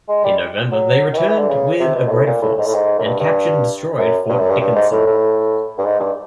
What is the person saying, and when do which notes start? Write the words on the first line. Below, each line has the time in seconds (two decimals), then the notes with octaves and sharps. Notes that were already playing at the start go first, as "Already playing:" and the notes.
In November, they returned with a greater force and captured and destroyed Fort Dickinson.
0.08 G#3
0.24 G3
0.72 F#3
1.13 D#3
1.18 E3
1.29 E3
1.38 D3
1.49 C#3
1.80 C3
1.96 B2
2.07 G#2
2.11 A2
2.27 A#2
2.42 A2
2.58 G#2
2.66 A2
2.74 G#2
2.98 F#2
3.05 G2
3.20 G2
3.98 F#2
4.29 G2
4.39 F#2
4.50 G2
4.60 G2
4.76 G#2
4.91 A2
5.07 A2
5.78 G2
5.85 G#2
6.00 G2